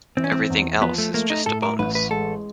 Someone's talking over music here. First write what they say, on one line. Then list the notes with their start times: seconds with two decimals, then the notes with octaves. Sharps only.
Everything else is just a bonus.
0.17 E3 C4
0.24 C#4
0.32 C4
0.50 E2
0.81 F3 B3
0.98 A3
1.14 A3 A#3
1.30 D#4
1.46 A2 A4
1.62 A#4
1.79 A1 B4
1.95 B4
2.11 G#3 A4